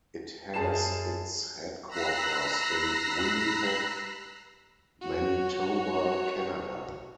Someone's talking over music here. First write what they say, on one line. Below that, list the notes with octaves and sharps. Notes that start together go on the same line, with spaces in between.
It has its headquarters in Winnipeg, Manitoba, Canada.
F#2 G#4 A5 C7 E7
A#5 B5 E6 F#6 A#6 C7
F#4 C#5